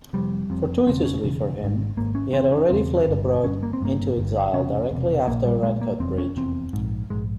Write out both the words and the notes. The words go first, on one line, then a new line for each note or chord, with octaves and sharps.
Fortuitously for him, he had already fled abroad into exile directly after Radcot Bridge.
F1 F2 C3 G3
F1 F2 C3
E1 E2 C#3 C4
C#4
E1 E2 C#3
G#1 G#2
G#1 G#2 A#3
C#4
E1 E2 C#3 C4
C#4
E1 E2 C#3 C4
G1 G2
G1 G2 C#4
A#3
C4
G1 G2 A#3
G1 G2
E1 E2 C3 C#4
E1 E2 C3
A#1 A#2 A#3
G3
A#1 A#2 G#3
A#3
F1 E2 C3 C4
C#4
F1 E2 C3 C4
A#1 G#2
A#1 G#2 G#3